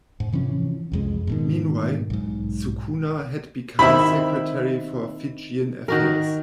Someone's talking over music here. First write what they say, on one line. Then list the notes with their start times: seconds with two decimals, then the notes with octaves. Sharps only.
Meanwhile, Sukuna had become Secretary for Fijian Affairs.
0.20 G#2
0.32 C3 E3 F3 C#4
0.92 C2 F2 G#3
1.27 G#2 B2 D#3
2.10 B1 G#2
3.79 D#3 C4 E4 E5 B5
5.88 D#3 F#4 A#4